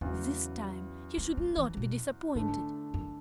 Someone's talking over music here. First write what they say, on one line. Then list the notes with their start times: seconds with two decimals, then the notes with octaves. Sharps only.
This time he should not be disappointed.
0.01 E2 C#3 F#3 A3
1.18 G#3
1.37 G#3
1.57 E3
1.77 B2
2.35 G#2 D3 A3 D4
2.94 F#2